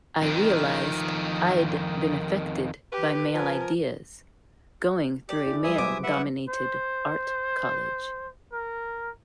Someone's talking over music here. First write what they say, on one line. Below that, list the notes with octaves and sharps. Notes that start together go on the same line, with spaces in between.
I realized I'd been affected by male ideas, going through a male-dominated art college.
F2 D#3
G4 B4
F3 A#4 G#5
G4 D5
E4 G#4
G3 B4 C5 E5 G#5 D#6
F#3 C5 D6
B4 E5 F#5
C5
A#4